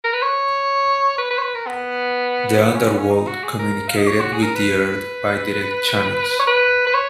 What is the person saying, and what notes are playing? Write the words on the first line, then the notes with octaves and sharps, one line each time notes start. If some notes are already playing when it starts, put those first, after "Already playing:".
The Underworld communicated with the earth by direct channels.
A#4
B4
C#5
B4
B4
C#5
B4
A#4
B3
B3
C#4
B3
C#4
D#4
F#4
G#4
A#4
F5
D#5
C#5
F#4
G#4
A#4
B4
C#5
B4
B4
C#5